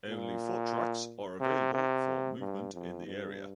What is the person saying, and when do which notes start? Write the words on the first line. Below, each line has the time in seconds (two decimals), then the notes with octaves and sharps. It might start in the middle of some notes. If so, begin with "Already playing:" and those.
Only foot tracks are available for movement in the area.
0.08 A#2
1.40 C3
1.74 C3
2.40 G2
2.74 F2
3.06 G2